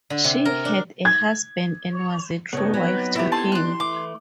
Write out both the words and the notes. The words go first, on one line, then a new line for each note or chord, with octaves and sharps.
She had a husband and was a true wife to him.
D3
C3
A#4
D4
G#6
G2 C#3 B3 C4 D#4 C#5
F#3 B4
E4 G4 E5 A#5
A3 A5 C6
D5 C6 F#6
E3 A3 D6